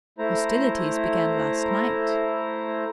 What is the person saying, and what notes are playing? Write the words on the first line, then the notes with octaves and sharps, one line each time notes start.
"Hostilities began last night."
A3 E4 C5 A#5